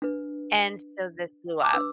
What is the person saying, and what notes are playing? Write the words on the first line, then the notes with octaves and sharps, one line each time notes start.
And so this blew up.
D4 B4
D6
D4 B4 E6